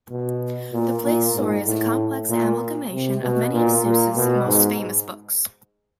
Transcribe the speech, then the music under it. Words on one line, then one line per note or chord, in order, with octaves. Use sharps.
The play's story is a complex amalgamation of many of Seuss's most famous books.
B2
A#2
A#2
G#2
A2
A#2
C3
B2
A#2
A#2
B2
G#2